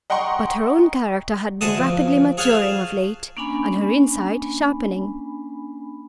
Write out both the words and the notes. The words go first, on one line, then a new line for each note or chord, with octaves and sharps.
But her own character had been rapidly maturing of late, and her insight sharpening.
D#5 F#5 G5 A#5 C6 C#6
D2 G#4 D#5 F#5 A5 D#6
F2
G#4 C#5 F5 F#5 G#5 A5
A#3 C#4 D4 G#5 B5